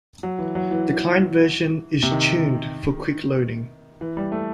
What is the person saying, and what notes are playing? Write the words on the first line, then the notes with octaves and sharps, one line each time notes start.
The Client version is tuned for quick loading.
F#3
E3
F#3
E3
C3
D#3
E3
G3
A3